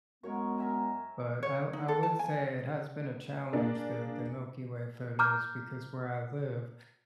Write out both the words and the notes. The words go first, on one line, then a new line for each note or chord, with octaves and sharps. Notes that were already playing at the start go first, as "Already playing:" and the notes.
but I w I would say it has been a challenge- the the Milky Way photos, because where I live,
F#2 G#3 B3 A#4 C#5 C#6
A#4 E5 G#5
C#5
D#4
A4
A5
G#5
A#3 D4 G#4
A#5 D6 F6 G6